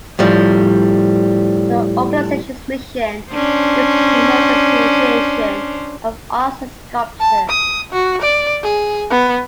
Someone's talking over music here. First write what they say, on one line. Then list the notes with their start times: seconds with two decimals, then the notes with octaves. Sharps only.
The organization's mission is to promote the appreciation of arts and sculpture.
0.19 A2 F3 G3
3.32 C#4 D4 C5
7.20 A5
7.50 D#6
7.92 F#4
8.22 D5
8.63 G#4
9.10 B3